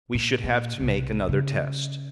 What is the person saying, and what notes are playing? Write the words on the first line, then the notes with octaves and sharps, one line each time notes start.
We should have to make another test.
A#2
A#2
B1 C3
C#3